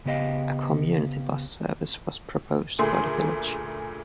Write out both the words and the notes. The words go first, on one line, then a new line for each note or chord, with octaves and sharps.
A community bus service was proposed for the village.
C#3 B3 G4 D#5 F5
D2 A#2 A3 G#4 C6